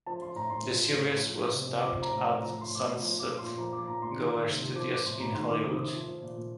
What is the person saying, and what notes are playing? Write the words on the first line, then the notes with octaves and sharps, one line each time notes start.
The series was taped at Sunset-Gower Studios in Hollywood.
F3 A5
F3 C6
A2 A#5
A2 C6
F3
F3
A2
A2
F3
F3
C3
C3
F3 D6
F3
A#5
A2
A5
A2
F3 A#5
F3
C6
A2 D6
D#6
A2
F3
F3
D6
A#2
C6
A#2
F3 A#5
F3 D6
A#2 A#5
A#2 C6
D#3
D#3
C3
C3
F3 D6
F3 D6
A2 C6
A2 A#5
D#3 C6
D#3 D6
C3 D#6
C3 D#6
F3
F3
A#2
A#2